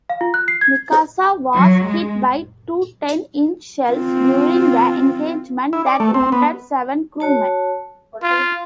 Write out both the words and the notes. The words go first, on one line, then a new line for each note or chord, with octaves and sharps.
"Mikasa" was hit by two ten-inch shells during the engagement that wounded seven crewmen.
F5
F4
F#6
C7
G#6
F#3
G#3
C4 F4
E4
D5
A3
C4
B3
F#4 C#5 A5
F4